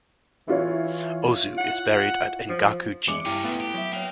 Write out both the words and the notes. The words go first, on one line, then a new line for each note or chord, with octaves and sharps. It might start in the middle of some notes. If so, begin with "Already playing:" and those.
Ozu is buried at Engaku-ji.
E3 E4 F4 C#5
F#5
F3
E2 G#3 D6 C#7
G2 C#4 E4 F4 G5
A3 B3 F5
G4
F#3 E5
A#3 C#5 F5 G5